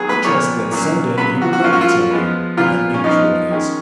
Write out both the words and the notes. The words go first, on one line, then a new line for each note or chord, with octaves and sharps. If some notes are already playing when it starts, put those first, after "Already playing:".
"I trust that some day you will let me tell you who that Englishwoman is."
Already playing: D#3 F#3 B3 G#4
B4
A#2 F3 B3 C#5
A#2 F#3 A#3 C#4
C#3 F#3 B3 B4
F#4
F#4
F3 A#3 C#4 F4
F#4
F4
F3 G#3 B3
A#2 F3 B3 F4
C#4
F3 B3 D#4
D#3 G#3 C#4